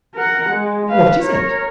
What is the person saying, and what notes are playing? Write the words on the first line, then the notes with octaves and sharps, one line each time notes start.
"What is it?"
A#4 F#5
G#3
B4 F5
A#4 C#5